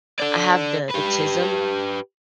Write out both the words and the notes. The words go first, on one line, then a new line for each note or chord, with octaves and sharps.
I have the the 'tism
A4 D5
G4 B4